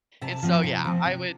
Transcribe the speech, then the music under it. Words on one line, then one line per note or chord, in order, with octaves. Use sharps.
and so, yeah, I would
C3 A5
F3 C4
C3
F3 C4
C3